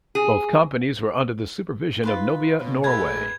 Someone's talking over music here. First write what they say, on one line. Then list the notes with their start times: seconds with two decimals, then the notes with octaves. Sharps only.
Both companies were under the supervision of Nobia Norway.
0.15 G#4
2.03 D#4 F4 B4 C6
2.61 B2 C#5
2.84 G#2 A3 G#4 A4 B4 G#6